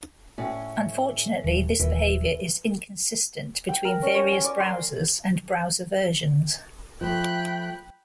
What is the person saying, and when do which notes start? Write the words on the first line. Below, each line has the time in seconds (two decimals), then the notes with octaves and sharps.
Unfortunately, this behavior is inconsistent between various browsers and browser versions.
0.38 A2 C#4
1.44 D#1
1.79 D#1 E3
3.69 G5
3.85 A#4
4.02 C#4
4.15 C#5
4.32 G#5
4.44 D5
4.60 C6
7.01 F3 A3 G5 B5 F#6